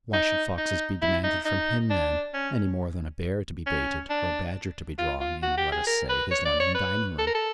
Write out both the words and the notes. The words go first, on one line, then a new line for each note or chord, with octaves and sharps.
Why should foxes be demanded from him then any more than a bear to be baited, or a badger to be drawn, in, let us say, his London dining-room?
D#4
D#4
E4
D#4
D#4
D4
C#4
C#4
D4
F4
F4
F#4
G4
G#4
A#4
B4
C#5
D5
C#5
B4
A4
A#4
A4